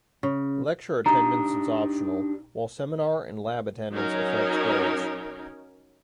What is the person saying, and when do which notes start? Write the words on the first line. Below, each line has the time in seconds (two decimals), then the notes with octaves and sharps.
Lecture attendance is optional, while seminar and lab attendance affects grades.
0.23 C#3
1.06 D4 D#4 G4 A#5
3.93 F#3 C#4 D#4 A#4